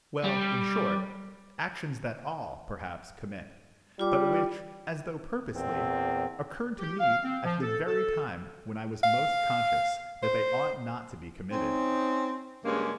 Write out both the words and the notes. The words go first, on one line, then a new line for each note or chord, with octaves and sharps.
Well, in short, actions that all, perhaps, commit; but which, as though purposely, occurred to me at the very time when I was most conscious that they ought not to be committed.
G3
G3 F4 D6
E2 A#2 C4
G4
F5
C4
F3
A4
A4
F5
C5
C4 C#4 D#4
G2 C#3 G#3 A#3 C#4